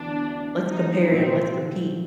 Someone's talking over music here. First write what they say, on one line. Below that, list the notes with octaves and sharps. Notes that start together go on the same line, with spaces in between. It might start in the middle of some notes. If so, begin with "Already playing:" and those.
Let's compare and let's compete.
Already playing: D2 E3 B3 D4
D#4
C2 A#2 F#3 C4